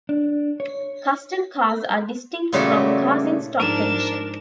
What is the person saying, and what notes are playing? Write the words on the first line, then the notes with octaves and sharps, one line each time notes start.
Custom cars are distinct from cars in stock condition.
D4
C#5
A#2 C#3 G3 A3 F#4 A4
G#2 F3 D4 A#4 E7